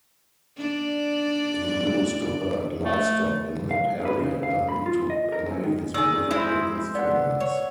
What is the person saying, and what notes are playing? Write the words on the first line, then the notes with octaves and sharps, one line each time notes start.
He used to herd livestock in that area, learning to play his musical instruments.
D4 D5
A3
F5
G2
B4
C#3
F5
B5
F4
D#5
A#4
F#2
D#3
D#3 G#4 D5 E6
G#3 C4 E4
B3 D5 F#5
C#5